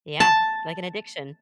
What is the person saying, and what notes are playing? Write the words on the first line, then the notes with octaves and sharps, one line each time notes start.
Yeah. Like an addiction.
A5